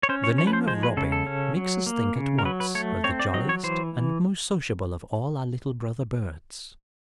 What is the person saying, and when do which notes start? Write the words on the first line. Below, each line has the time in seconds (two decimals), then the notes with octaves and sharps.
The name of Robin makes us think at once of the jolliest and most sociable of all our little brother birds.
0.03 C#5
0.09 C#4 C5
0.24 C#5
0.38 F3 C#5
0.47 B4
0.53 C5
0.68 G#3 C5
0.83 B4
0.97 C#3 A4
1.12 A4
1.27 C#4
1.57 F#3
1.86 A#3
2.16 C#3
2.39 A#4
2.45 F#3 B4
2.60 B4
2.75 A3 C#5
3.04 C4 C#5
3.20 D5
3.34 F#3 D#5
3.49 C#5
3.63 E3 C5